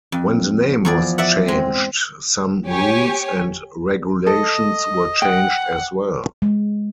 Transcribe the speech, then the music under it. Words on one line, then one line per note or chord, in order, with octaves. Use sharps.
When the name was changed, some rules and regulations were changed as well.
F2
E2 F3 G#4 D5
D5 E5 F#5
G#3 C4
G4 C#5 G#5
A4 D#5
F#5 G5
G#3